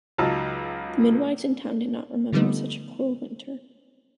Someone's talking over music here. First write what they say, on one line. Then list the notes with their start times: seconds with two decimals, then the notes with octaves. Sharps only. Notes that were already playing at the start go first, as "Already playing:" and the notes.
The midwives in town did not remember such a cruel winter.
0.18 C#2 F#3 D#4 F4 A5 E6
2.33 D3 F3 G3 A3 B3 D#4